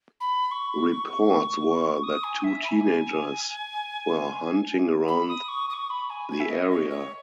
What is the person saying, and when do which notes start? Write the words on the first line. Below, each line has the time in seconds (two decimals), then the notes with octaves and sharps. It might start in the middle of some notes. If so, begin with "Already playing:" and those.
Reports were that two teenagers were hunting around the area.
0.20 B5
0.51 C#6
2.03 D#6
2.23 G#5
2.44 E5
2.64 B5
2.69 G#5
5.08 B5
5.28 D#6
5.48 C#6
5.69 D#6
5.73 C#6
5.90 B5
6.10 G#5
6.30 G#5
6.40 E5
6.50 D#5
6.71 C#5
6.90 C#5